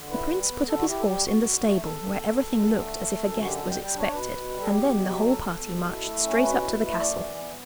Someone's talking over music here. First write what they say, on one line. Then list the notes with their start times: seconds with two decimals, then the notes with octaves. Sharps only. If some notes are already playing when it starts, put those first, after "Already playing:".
The prince put up his horse in the stable, where everything looked as if a guest was expected, and then the whole party marched straight up to the castle.
Already playing: D3
0.10 E4 B4
0.30 G3
0.48 B3
0.67 D3 A4
0.80 F#4
0.87 E4 G4
1.00 A4
1.06 G3 G4
1.25 E2 F#4
1.45 D3
1.63 A3
1.82 E2 A4
2.02 E2
2.21 D3
2.40 F#2
2.59 D3
2.79 A3
2.98 F#2
3.16 F#2
3.36 D3 F#4
3.47 G4
3.55 B2 A4
3.70 G5
3.74 G3
3.83 G5
3.93 D4
3.99 C#5
4.13 B2 B4
4.32 B2
4.50 G3
4.61 A4
4.70 E2 G4
4.89 B2
5.08 F#3
5.27 E2 A4
5.46 E2
5.66 B2
5.85 E4
6.04 A3
6.23 C#4
6.42 B2 B4
6.61 E4
6.81 A3
7.00 F#2 D5
7.19 E3
7.37 B3